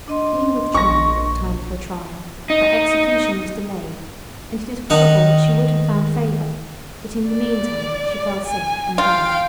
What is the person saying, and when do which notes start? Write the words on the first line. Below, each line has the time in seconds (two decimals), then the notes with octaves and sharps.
Being with child at the time of her trial, her execution was delayed; and it is probable that she would have found favor, but in the mean time she fell sick and died.
0.08 D4 D#5 C6
0.74 A#1 C#6 A#6
2.50 D#4
4.90 D#3 D#4 F#5
7.29 D5
8.46 G#5
8.98 F4 F5 G5